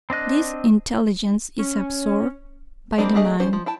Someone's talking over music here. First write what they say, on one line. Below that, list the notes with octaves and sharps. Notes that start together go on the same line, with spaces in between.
This intelligence is absorbed by the mind.
C4 D4 D#5 F#6
C#4
G3 G#3 A#3 C4 D4
A3 D4 G4 G#4 D#5
F3 C#4 C5
F3
E4 G5 A5